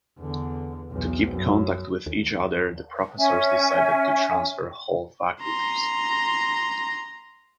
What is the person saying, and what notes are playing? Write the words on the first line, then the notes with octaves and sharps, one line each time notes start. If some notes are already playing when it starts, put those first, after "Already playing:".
To keep contact with each other, the professors decided to transfer whole faculties.
E2 D3
B1 E2
F#2
D#2
C#4 E5 G#5
A#5 C6